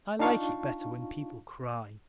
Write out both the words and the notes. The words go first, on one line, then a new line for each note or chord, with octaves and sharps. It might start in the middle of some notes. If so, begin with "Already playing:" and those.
I like it better when people cry.
D4 D#4 F4 F5 A5 C#6